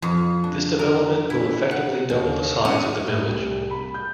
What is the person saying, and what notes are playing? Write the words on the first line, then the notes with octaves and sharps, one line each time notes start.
This development will effectively double the size of the village.
F2
D4
A#4
E4
F#5
D#2
C#4
A2
C2
B5
G6